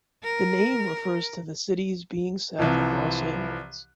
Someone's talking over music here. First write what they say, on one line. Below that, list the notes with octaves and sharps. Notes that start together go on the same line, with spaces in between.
The name refers to the city's being south of Los Angeles.
A#4
C2 C3 E3 F3